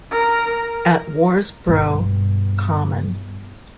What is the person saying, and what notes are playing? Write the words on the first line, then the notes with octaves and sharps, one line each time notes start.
At Worsbrough Common.
A#4
G2 B2